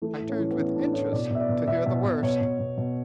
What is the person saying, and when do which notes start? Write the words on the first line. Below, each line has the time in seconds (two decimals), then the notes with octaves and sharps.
I turned with interest to hear the worst.
0.02 E3 A3
0.20 A2
0.29 C#4
0.39 E3
0.51 B3
0.57 E3 C#4
0.75 A2 D4
0.94 A2 C#5
1.12 B2 D5
1.31 B2 E5
1.40 D5
1.49 B2
1.67 B2 E5
1.86 B2
2.04 B2
2.23 B2 C#5
2.41 B2
2.59 B2
2.77 B2